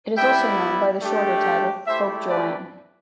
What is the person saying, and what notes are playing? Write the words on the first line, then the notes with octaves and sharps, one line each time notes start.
It is also known by the shorter title Pope Joan.
G3 B3 E4 E5 G5
A3 D4 G4
A3 E4 G4 C5 E5
B4 D5